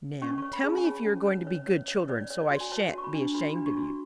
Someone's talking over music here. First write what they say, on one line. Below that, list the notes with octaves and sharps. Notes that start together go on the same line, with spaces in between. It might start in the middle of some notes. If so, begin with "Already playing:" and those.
"Now, tell me if you are going to be good children, so I shan't be ashamed of you?"
C#4 C#6
C#5 C#6
B5
G#4 A5
G#5
C#5 A5
C#4
C#5
C#5
C#5
C#5
C#5 D5
C#5
D5
F#4
G#5
C#5 A5
F#4 C#6
B5
D4
F#4 B5
D4
C#6
F#4